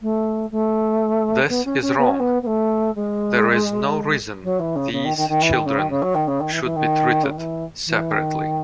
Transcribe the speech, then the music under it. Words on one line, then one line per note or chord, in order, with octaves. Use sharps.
This is wrong... There's no reason these children should be treated separately.
A3
A3
B3
C#4
C#4
B3
C#4
B3
B3
A3
G#3
F#3
E3
C#3
C#3
D#3
D#3
D#3
E3
D#3
C#3
D#3
C#3
F#3
D#3
C#3
D#3
E3
E3
D#3
C#3
D#3
E3
E3
D#3